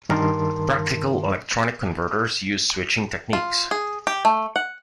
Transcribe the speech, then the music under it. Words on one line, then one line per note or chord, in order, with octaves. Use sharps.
Practical electronic converters use switching techniques.
G2 D#3 A#4 A5 C6
F4
G#4
G4
A3
F#5